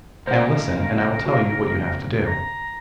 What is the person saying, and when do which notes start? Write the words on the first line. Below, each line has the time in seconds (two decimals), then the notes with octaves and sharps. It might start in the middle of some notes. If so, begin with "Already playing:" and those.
'Now listen, and I will tell you what you have to do.'
0.27 A2 C#3 A#4 C5 F#5
1.26 F#4 F5
2.26 A#5